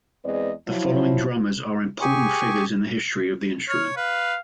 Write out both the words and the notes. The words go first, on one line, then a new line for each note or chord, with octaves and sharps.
The following drummers are important figures in the history of the instrument.
E2 G#3 C4 B4 D5 D#5
F3 F#3 E4
G4 G#4 G#5 C#6
C#5 F6
B4 F5